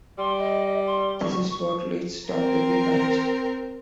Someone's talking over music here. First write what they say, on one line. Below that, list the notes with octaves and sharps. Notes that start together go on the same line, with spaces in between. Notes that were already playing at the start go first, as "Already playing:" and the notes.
This is what leads Tom to be banished.
G3 C6
D#5
C6
C#6
C#6
C4 A#4